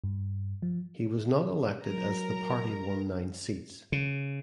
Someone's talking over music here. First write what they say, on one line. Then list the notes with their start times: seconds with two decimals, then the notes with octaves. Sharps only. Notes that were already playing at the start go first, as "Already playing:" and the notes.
He was not elected as the party won nine seats.
0.04 G2
0.62 F3
1.84 F#3 A#4 A#5
3.92 C#3